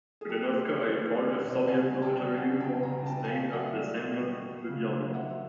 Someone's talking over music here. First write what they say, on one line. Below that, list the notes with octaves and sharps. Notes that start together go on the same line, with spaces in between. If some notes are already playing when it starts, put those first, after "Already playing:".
Budenovka, a part of Soviet military uniform, is named after Semyon Budyonny.
G#4
F#3 G4 A4
F#3 G#4
F#3 G#4
D#3 A4 B4
G3
B4 C#5
C3
C5 D5
C#3 F#5 G#5
G3
G5 A5
G3
F#3 F#5 G#5
C#3 G5 A5
C#3 G#5 A#5
B2 G5 A5
G#5
B2 F5 G5
F#3 E5 F#5
G3
B2
G3
F#3
C#3
F#3
D#3 E5 F#5